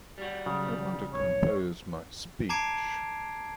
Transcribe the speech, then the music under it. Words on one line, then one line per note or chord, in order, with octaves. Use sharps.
I want to compose my speech.
G3 F#4
C#3 F#3
D1 B1 C#5
A5 A#5 D6 G#6 C7 D7